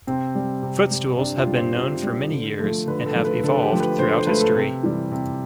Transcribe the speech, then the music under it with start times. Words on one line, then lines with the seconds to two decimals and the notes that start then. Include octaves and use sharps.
Footstools have been known for many years, and have evolved throughout history.
0.07 C3 C4
0.35 G3
0.63 C3
0.91 G3
1.19 C3 D4
1.37 F4
1.47 G3
1.56 C5
1.75 C3
2.03 G3
2.32 D3
2.59 F3 A3
2.87 D3 B4
3.06 A4
3.15 F3 A3
3.25 B4
3.44 D3 A4
3.62 G4
3.72 F3 A3
3.80 B4
3.99 D3 C5
4.14 C5
4.27 F3 A3 B4
4.41 A4
4.56 C3
4.83 E3 G3
5.12 C3